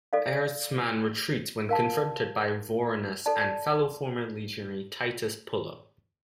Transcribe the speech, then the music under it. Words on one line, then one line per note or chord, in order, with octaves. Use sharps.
Erastes' man retreats when confronted by Vorenus and fellow former legionary Titus Pullo.
A4 D5 F5
A#4 F5 A5
A4 D5 A5